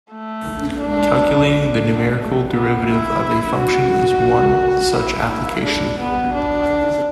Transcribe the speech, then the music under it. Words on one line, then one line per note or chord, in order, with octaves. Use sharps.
Calculating the numerical derivative of a function is one such application.
A3
D4
D4
A3
B3
E4
F#4
E4
E4
D4
B3
D4